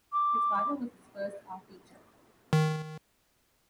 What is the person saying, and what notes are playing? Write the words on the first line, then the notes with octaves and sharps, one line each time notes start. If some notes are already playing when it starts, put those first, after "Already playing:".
His father was his first art teacher.
D6
D#3